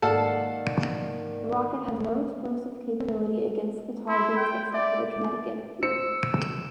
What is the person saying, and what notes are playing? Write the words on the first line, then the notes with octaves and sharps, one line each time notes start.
The rocket has no explosive capability against the target except for kinetic energy.
G#2 D#3 A#3 A4 D5 F5 F#5 A5
E4 C6
G5
D5 E5
C5 E6 C#7